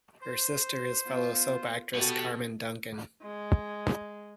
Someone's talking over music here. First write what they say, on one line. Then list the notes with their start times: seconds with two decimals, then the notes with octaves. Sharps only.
Her sister is fellow soap actress Carmen Duncan.
0.22 C5
1.05 B3 F4
1.95 B3 F#4 G4 A4
3.22 G#3